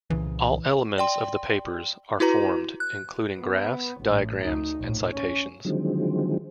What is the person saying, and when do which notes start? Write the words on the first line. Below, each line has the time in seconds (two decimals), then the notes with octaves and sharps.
All elements of the papers are formed, including graphs, diagrams, and citations.
0.10 C2 A#2 C#3 E3
0.98 D5 G5 C6
2.20 E4 F#4 B4 A#5
2.80 F#6
3.39 B3
4.01 A1
4.42 D2 D#4
4.80 A#1 A2
5.12 C#4
5.65 D3 D#3 F3 F#3 G#3 C4